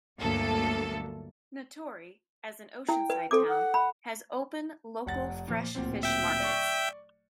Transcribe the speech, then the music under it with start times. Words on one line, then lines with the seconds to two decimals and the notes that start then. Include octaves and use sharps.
Natori, as an oceanside town, has open local fresh fish markets.
0.20 G1 D2 F#3 A#3 A4
2.89 E4 G5
3.10 B4
3.31 C4 A4 D6
3.48 F#5
3.74 B5
5.06 F1 F#5 A6
5.48 A#2 F3
5.75 D1 A#2 C4
6.03 E5 G5
6.40 D5 C#6